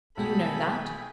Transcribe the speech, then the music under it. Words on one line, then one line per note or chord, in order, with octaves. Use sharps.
You know that.'
B1 B2 G#4 A4 G5 G#5 B5